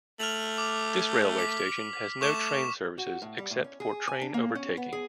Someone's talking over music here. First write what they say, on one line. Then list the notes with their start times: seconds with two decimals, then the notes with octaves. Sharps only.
This railway station has no train services except for train overtaking.
0.19 A3 F6 F7 F#7
0.58 D6
1.38 D6 B6
2.21 A3 C#6 D6 E7
2.98 F#4
3.22 A2
3.38 G3
3.50 A2
3.64 C#4
3.80 G#4
4.08 G#5
4.21 D4
4.34 A#3
4.55 C#4
4.77 B3
4.93 G#4